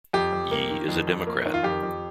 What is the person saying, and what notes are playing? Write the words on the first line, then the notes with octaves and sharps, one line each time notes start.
Yee is a Democrat.
F2 G4
F2
A#3
D#3
F2
F2
A#3
D#3
F4
F2 G4
F2